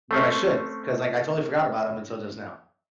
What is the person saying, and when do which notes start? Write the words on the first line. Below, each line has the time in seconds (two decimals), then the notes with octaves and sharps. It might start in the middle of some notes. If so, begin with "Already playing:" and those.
but I should 'cause, like, I totally forgot about 'em until just now.
0.11 A3 C4 C#4